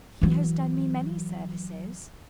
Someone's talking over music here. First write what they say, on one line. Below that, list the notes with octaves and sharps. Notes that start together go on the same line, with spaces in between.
"He has done me many services."
E3 F#3